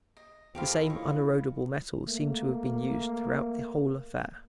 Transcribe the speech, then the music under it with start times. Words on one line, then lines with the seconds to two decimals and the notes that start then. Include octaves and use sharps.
The same unerodable metal seemed to have been used throughout the whole affair.
0.17 D#5
0.55 E2 F3 E4 F4 G4 A4 A#4 F5
0.86 A#1 A2 D#3 F4 D#5 C#6
2.08 A3 A#3